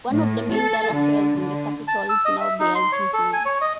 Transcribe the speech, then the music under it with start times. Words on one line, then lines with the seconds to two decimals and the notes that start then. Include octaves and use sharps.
One of the main thoroughfares in the capital now bears his name.
0.11 A2
0.54 A4
0.94 D3
1.39 D3
1.88 A5
2.09 E6
2.25 D#5
2.40 E5
2.60 D#4
2.75 C6
2.92 C#5
3.13 A4
3.33 G#5
3.45 C#5
3.61 D#5